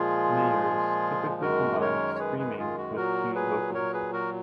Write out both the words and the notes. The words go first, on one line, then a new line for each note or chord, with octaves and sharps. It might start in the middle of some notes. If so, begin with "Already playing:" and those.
Mayers typically combined screaming with clean vocals.
Already playing: A#2 F3 G#3 F4 G#4
F#2 D#3 G#3 F#4 A#4
A#4 C#5
C#5
G#4 B4
G#4 B4
F4 G#4
F#4
A#2 F#3 F#4 A#4
G#4 B4
A#4 C#5
G#4 B4
F#4 A#4